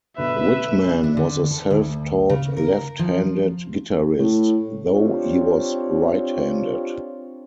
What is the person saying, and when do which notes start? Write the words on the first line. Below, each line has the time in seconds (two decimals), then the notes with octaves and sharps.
Whitman was a self-taught left-handed guitarist, though he was right-handed.
0.18 B2 D3 B4 E5
1.04 D4
1.17 D3
1.51 A4
1.71 D2
2.30 C#3
2.57 A#4
2.99 F3
4.19 A2
4.92 C4 D4 F4 G4 C#5